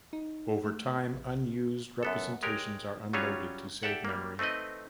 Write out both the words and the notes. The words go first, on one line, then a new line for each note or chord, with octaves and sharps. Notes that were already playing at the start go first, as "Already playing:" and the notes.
Over time, unused representations are unloaded to save memory.
D#4
A3
A#1
F#2 B3 A4
G#3 G4 A#4 C#5
F#3 G3 C#4 F4 G#4 C#5
G4 A4 D5 E5 F#5
G3 A#3
A3 C4 D#4 B4 D#5